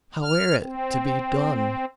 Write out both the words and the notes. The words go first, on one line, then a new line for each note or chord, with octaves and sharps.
How air it to be done?
F6
C4